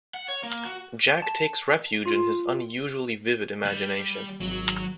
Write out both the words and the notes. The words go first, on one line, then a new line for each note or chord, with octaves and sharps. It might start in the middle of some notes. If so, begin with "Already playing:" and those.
Jack takes refuge in his unusually vivid imagination.
F#5
C#5
A#3
F#4
A5
F4
G3
G#1 F#3